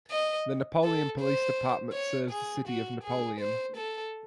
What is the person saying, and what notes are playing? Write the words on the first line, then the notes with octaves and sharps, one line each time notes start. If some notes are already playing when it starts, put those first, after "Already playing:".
The Napoleon Police Department serves the City of Napoleon.
D#5
A4
C5
C#5
G#4
F#4
G#4
C5
A4